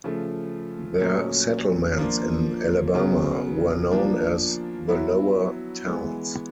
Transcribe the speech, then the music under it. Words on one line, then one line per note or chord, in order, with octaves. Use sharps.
Their settlements in Alabama were known as the Lower Towns.
C#3 F3 A3
A#2 F#3 A3 C#4
F3 A#3 D4 F4
C#3 F#3 B3
F3 A#3 D4
F#3 B3 E4
E3 G#3 B3